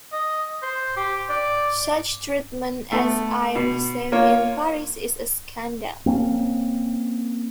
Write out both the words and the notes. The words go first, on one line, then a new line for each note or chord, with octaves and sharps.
Such treatment as I received in Paris is a scandal.
D#5
C5
G4
D5
A3 B3
B2
A#3 F4 C#5
A#3 C4 C#4